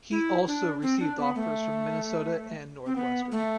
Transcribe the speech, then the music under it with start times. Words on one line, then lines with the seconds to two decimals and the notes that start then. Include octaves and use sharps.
He also received offers from Minnesota and Northwestern.
0.11 E4
0.47 D4
0.82 C4
1.00 D4
1.18 B3
1.36 A3
2.86 C4
2.96 B3
3.32 A3